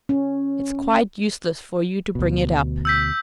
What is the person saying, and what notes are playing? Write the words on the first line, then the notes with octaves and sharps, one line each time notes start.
It's quite useless for you to bring it up.
C#4
D2 B2
E6 G6 B6